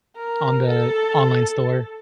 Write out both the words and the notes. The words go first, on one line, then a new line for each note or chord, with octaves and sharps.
on the online store.
A#4
A4